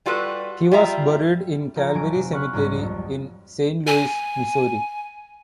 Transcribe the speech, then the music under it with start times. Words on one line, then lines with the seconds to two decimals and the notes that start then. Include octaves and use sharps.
He was buried in Calvary Cemetery in Saint Louis, Missouri.
0.06 G3 F4 F#4 A4 B4
0.72 G3 F4 E5 A#5
1.76 F3 F4 A4 A#5
1.94 F1 F#3 G#5 D7
2.15 C3
2.32 B5 C#6 F6 F#6
2.53 C2 G#2 F#4
2.76 F2 F#3
3.87 G#5